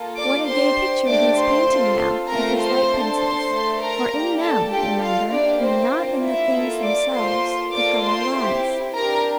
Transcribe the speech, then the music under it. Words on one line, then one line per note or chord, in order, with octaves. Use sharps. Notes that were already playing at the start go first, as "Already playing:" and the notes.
What a gay picture he is painting now, with his light-pencils; for in them, remember, and not in the things themselves the colour lies.
Already playing: A#3 F4 A4
D5 D6
D4 G4 C5 C6
A3 D4 G4 D5 D6
C5 C6
C4 F4 A4
A3 C4 F4 A4 A#4 A#5
C5 C6
D4 A4
C5 C6
A3 D4 A4
A#4 A#5
A#3 D4 G4
A4 A5
D4 F4 G4 A4 G5
F4 F5
A#3 D4 E4 G4 D5
C4 C5
A#3 D4 F4
E4 E5
A#3 F4 A4
D5 D6
A#3 F4 A4 C5 C6
A#3 F4 A4 D5 D6
C5 C6
C4 E4 G4
D4 G4 A#4 A#5